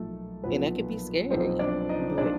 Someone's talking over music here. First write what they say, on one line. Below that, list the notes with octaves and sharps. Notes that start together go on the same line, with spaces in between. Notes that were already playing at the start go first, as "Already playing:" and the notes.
and that could be scary, but,
Already playing: B1 A#2 F3 A3 A4
B1 A#2 F3 B3 B4
B1 A#2 F3 C4 C5
D4 D5
D#4 D#5
A#2 F3 D4 D5